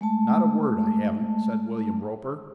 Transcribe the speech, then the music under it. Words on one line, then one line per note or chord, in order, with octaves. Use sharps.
"Not a word, I haven't," said William Roper.
G#3 A3 A5